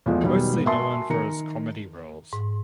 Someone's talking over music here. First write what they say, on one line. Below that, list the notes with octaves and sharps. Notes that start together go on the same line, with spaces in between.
Mostly known for his comedy roles.
E2 F3 G#3 A3
B2 D#3 F#3 G3
G#2 B3
F#4 A#4 E5 G#5 A5 C6
D#3 A#4 A#5 C#7
G#2